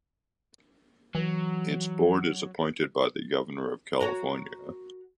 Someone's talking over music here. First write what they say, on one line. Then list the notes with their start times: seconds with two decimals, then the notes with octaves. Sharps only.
Its board is appointed by the Governor of California.
1.15 E3 F#3
4.00 F#4 A#4 C#5